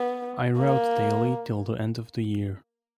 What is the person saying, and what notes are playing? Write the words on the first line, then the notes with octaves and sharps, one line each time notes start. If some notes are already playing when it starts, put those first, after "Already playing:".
I wrote daily till the end of the year.
Already playing: B3
A#3